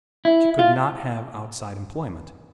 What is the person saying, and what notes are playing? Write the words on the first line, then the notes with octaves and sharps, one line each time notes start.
She could not have outside employment.
E4
F4